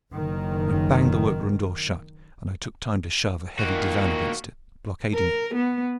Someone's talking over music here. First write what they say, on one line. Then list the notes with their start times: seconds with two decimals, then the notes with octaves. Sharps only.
We banged the workroom door shut and I took time to shove a heavy divan against it, blockading it.
0.11 F#1 D#3
3.59 A#2 D#3 A#3 F#4
5.14 A#4
5.54 B3